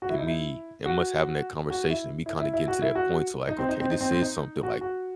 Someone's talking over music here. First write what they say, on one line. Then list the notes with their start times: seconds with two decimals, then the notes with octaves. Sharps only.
And me and m us having that conversation and me kinda getting to that point to like, "Okay, this is something," like,
0.02 F#4
0.10 E4
0.18 D#4
0.26 E4
0.86 F#4
1.70 F#4
1.90 E4
2.26 E4
2.40 E4
2.54 E4
2.68 F#4
2.82 E4
2.95 F#4
3.48 D#4
3.58 C4
3.69 D#4
3.80 C4
3.90 D#4
4.01 C4
4.12 C4
4.22 D#4
4.63 F#4
4.81 F#4